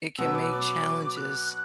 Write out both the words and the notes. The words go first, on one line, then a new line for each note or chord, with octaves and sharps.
it can make challenges
B2 F#3 B3 F#4 B4 E6
D6
D6
F#6